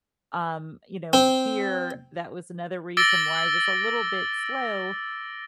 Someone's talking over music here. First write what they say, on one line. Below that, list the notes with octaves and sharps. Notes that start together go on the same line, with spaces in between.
Um, you know, here, that was another reason why I was a little bit slow
C4
D6 E6 A6 A#6 D7 G7